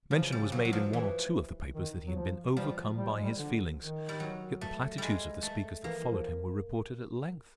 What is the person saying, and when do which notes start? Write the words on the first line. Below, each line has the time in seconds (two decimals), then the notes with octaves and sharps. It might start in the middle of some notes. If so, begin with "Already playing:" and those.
Mention was made in one or two of the papers that he had been overcome by his feelings. Yet the platitudes of the speakers that followed him were reported at length.
0.11 C#3 F3
0.32 G3
0.52 F#3
0.65 F#3
0.73 F3
0.93 E3
1.75 D#3
2.07 F#3
2.16 F3
2.57 F3 G3
2.98 G3
3.11 G#3
3.24 G3
3.39 D3
3.79 D#3
4.09 G3
4.20 F#3
4.61 A3
4.98 G3 G#3
5.43 A3
5.84 E3 A#3
6.11 F3